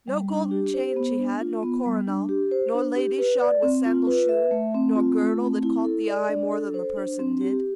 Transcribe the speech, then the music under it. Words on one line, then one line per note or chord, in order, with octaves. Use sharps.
No golden chain she had, nor coronal, Nor ladies shod with sandal shoon, nor girdle That caught the eye more than the person did.
G3
D4
G4
C5
B3
D4
F4
B3
G3
D4
G4
C5
D4
G4
B4
D5
C4
F4
B4
E5
A3
C4
F4
A3
C4
E4
A4
D5
D4
A4
C5
D4
C4
G4